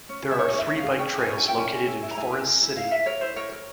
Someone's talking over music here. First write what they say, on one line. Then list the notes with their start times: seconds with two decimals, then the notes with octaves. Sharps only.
There are three bike trails located in Forest City.
0.09 C#4
0.24 G#4
0.31 E5
0.38 E4 C#5
0.54 C#4 E5
0.68 C#4
0.78 F5
0.83 G#4
0.92 G#5
0.98 C#4 G5
1.13 E4
1.18 G#5
1.28 C#4
1.38 G#5
1.43 E4
1.48 G5
1.58 C#4 G#5
1.73 G#4
1.87 E4
2.03 E4
2.11 A#5
2.17 E4 G#5
2.32 A#4
2.47 A#4
2.62 E4
2.77 E4 F5
2.91 A#4 E5
3.06 A#4 C#5
3.21 E4 C5
3.36 A#4 C#5
3.51 A#4